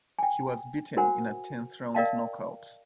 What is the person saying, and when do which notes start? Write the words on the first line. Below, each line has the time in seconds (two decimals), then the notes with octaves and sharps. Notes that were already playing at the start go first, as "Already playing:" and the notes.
He was beaten in a tenth round knockout.
0.19 G5 G#5
0.97 F#4 A#4 C5 F#5 G#5
1.94 A#4 D5 D#5 F5 G5 A5